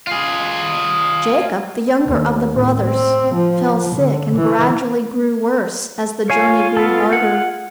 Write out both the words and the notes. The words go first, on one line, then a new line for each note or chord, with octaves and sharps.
Jacob, the younger of the brothers, fell sick and gradually grew worse as the journey grew harder.
F4 G#4
D#2
A1
C4
F3
D3
E3
F4 C#5 F5 G#5
B3 A4
F#5